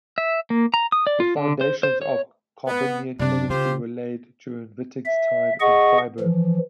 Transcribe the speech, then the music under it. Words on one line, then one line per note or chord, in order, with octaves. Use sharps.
The foundations of carbanion chemistry were laid during Wittig's time in Freiburg.
E5
A#3
A#5
D#6
D5
F4
D3
C5
C5
C#5
B3
F#2 C3 D4
C#3 F4 G4 C5
E5
G#4 D#5 F#5 C#6
E3 F3